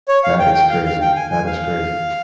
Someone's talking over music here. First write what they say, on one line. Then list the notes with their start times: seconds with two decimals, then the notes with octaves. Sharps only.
That is crazy. That is crazy.
0.08 C#5
0.24 F5
0.39 G5
0.55 G5
0.70 F5
0.85 F5
1.01 G5
1.16 G#5
1.31 G#5
1.47 F5